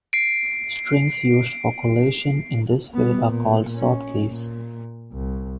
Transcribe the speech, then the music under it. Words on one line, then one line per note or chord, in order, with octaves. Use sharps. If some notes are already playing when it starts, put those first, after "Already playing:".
Strings used for collation in this way are called "sort keys".
C7 D7
G3 B3
A#2
C#4
A#2
C2